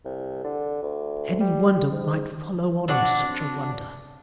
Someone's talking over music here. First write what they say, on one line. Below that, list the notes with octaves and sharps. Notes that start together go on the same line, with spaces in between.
Any wonder might follow on such a wonder.
C2
D3
D2
G3
G#2
C4 D4 F#4 D5